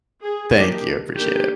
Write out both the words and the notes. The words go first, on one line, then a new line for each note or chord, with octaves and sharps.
Thank you. I appreciate it.
G#4
D#3 A#3 D4 G4
D#3 A#3 D4 G4